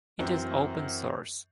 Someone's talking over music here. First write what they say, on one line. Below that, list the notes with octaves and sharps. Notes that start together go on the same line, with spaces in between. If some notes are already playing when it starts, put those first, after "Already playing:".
It is open source.
F#2 E3 C4